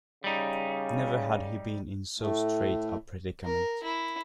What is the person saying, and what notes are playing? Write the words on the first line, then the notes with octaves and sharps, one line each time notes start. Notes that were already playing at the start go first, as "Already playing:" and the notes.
Never had he been in so strait a predicament.
C#3 G3 D#4
A2 A3
A#4
E4